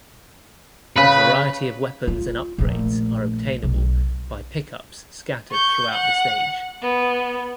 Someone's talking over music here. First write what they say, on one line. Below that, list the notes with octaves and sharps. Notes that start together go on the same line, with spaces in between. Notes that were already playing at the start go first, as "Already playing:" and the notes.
A variety of weapons and upgrades are obtainable by pick-ups scattered throughout the stage.
C#3 B4
F4
A#1 A3
B1
C#6 G6
F#5
B3